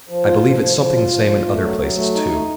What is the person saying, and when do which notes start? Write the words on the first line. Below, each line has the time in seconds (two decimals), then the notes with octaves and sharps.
I believe it's something the same in other places too.
0.09 F3
0.26 F4
0.43 F3
0.60 F3
0.77 F3
0.94 F4
1.11 F3
1.28 F4
1.46 A3
1.62 F#3
1.79 F#3
1.96 A3
2.14 D#4
2.30 A3